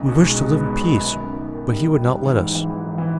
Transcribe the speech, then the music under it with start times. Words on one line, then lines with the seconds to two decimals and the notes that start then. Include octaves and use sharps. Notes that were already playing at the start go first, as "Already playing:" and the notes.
We wished to live in peace, but he would not let us.
Already playing: B1 C#3
0.09 B2
0.23 G#3
0.37 B1
0.52 B3
0.66 B2
0.81 B3
0.96 F#2
1.10 D#3
1.24 F#2
1.39 D#3
1.54 D#3
1.67 G3
1.82 G3
1.98 G3
2.11 G#2
2.26 E3
2.41 G#2
2.55 E3
2.70 E3
2.84 A#1
2.98 E3